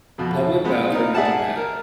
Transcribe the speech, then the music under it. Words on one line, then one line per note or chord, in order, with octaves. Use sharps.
public bathroom in Japan.
F2 B2
G#3 B3 C4
D#4 A#4
G#4 D5 E5 F#5 A5
A#4